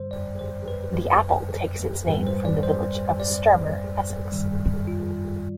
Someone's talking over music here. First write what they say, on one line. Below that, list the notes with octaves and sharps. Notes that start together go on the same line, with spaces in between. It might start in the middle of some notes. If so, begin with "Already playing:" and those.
The apple takes its name from the village of Sturmer, Essex.
Already playing: G2 D3 G3 C5
D5
C5
B4
G#2 G3 B4
C5
D5
C5
D5
G2 D#3 G3
F4